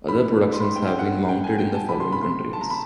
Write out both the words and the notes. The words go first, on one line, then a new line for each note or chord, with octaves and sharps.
Other productions have been mounted in the following countries.
A2 E3 B5
C6
B5
C6
G5
G5
A#2 F#5
G5
G#5
G5
A5
C3 D#3 B5
C6
B5
C6
A5
A#5
B5